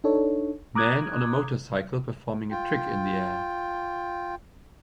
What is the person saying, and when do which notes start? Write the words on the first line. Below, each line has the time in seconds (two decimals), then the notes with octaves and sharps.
Man on a motorcycle performing a trick in the air.
0.04 D4 D#4 A4 C#5
0.75 A#5 D6 D#6 F#6 G#6
2.51 F4 G5